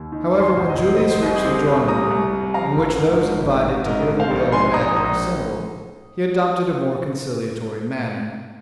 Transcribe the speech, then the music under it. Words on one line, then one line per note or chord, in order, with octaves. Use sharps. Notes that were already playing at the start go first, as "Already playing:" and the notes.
However, when Julius reached the drawing room, in which those invited to hear the will read were assembled, he adopted a more conciliatory manner.
Already playing: D#2
D#3
D#2
G#5 C6
F1 C5
D#5
F1 C5
F1 D#5
C5
C2 D#5
G#4 C5
C3
C2
C3 A#5 D#6
C2
C3
F3 F5 A#5
G#1
G#1
G#2
G#1
G#1
G#2 A#4 D#5
G#2
C5 F5
A#1
G#2 G#5 C6
A#1 A#5 D#6
A#1 A#5 D#6